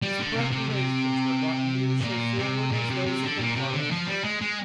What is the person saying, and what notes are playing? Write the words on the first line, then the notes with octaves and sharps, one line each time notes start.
His preparations were not near so forward as those of the parliament.
G3
D3
C3
C3
C3
C3
A#2
C3
A#2
C3
C3
D3
A#2
C3
D3
F3
G3
G#3
G#3